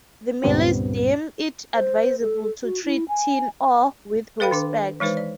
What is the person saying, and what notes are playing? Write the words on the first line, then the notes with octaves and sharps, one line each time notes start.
The Malays deem it advisable to treat tin ore with respect.
C#2 G2 A#2 G3 B3 C4
C5
A4
F#4
E4
G#5
A4 B4 F5 G5 B5
D#3 D4 D6
E3 G#3 D#4 B4 C5
D5